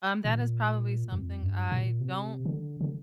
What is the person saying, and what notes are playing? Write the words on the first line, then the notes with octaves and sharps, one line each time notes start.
Um, that is probably something I don't
A#2
F2
G2
A#2
C3
D3
D3